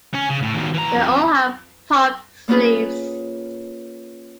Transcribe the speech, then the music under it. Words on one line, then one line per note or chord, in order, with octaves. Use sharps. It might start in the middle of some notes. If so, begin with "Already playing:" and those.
They all had puffed sleeves.
C#4
C#3
A2
D#2 B2
E3 A#5
F2
A#3 B3 C#4 F4 G#4 B4